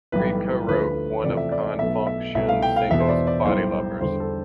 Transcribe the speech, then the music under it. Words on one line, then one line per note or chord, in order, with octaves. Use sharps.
Reid co-wrote one of Con Funk Shun's singles, "Body Lovers".
B1 A2 E3 G3 B4
D2 D3 F3 A3 B4
E2 C3 F3 A3 D5
E5
D5
B1 B2 A3 E5
E5
C2 B2 A3 E5
F5
G5
F5
E1 E2 B2 E5
C5
D5
D5
B1 A2 G3 C5
E1 E2 D3 G3 C5
A4